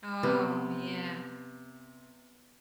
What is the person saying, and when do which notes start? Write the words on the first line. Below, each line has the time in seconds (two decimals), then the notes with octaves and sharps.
Oh, yeah.
0.23 C3 B3